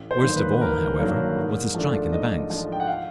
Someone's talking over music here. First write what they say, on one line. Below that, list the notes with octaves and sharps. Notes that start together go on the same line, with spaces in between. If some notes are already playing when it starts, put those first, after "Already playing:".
Worst of all, however, was the strike in the banks.
Already playing: A1
C5
G2 D#3 F#3 A#3
B4
B4
A1 A#4
G2 D#3 F#3 A#3
G#2
F3 A3 D4
G#2 D#5
F3 A3 D4
G5
F#5
F5